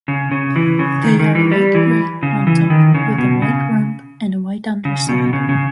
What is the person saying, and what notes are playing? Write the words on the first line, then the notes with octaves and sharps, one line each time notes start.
They are light gray on top with a white rump and a white underside.
C#3
C#3
E3
C#3
D#3
D#3
E3
G3
E3
C#3
E3
D#3
C#3
B2
C#3
C#3
B2
C#3
C#3